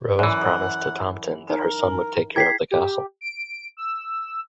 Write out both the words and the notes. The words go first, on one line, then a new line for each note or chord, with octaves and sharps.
Rose promised to Tomten that her son would take care of the castle.
F#2 E3 D5 F#5
D#4 A#4
E4 G#4 G5 G#6 B6 C7
G4
D7
E6